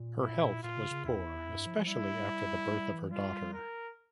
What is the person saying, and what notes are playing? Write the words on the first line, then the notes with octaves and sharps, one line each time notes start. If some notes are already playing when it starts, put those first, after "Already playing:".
Her health was poor especially after the birth of her daughter.
Already playing: A#2
E4
A#2 F4
C#3
C#3
E2 E4
F2
G2
F3
F3
G3 E4
G3
E3
G3 F4
A#4